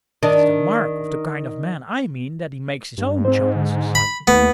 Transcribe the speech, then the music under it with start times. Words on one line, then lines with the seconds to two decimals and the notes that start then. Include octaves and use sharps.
It is the mark of the kind of man I mean that he makes his own chances.
0.23 D#3 D4
2.98 G2
3.25 G#2 C4 C5
3.55 D3
3.95 B5
4.27 D#2 A3 B3